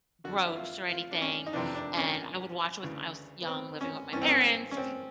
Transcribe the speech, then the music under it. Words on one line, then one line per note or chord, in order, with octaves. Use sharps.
gross or anything and I would watch it with my I was young living with my parents
F2 D3 F#4
E4
F4
F4
D4
C#4
D#4
F2 C3 E3 D4
D4
C#4
D2 C#3 E3
B3
C4
C#4
G2 E3 C#4
C4
C#4
C#4
C4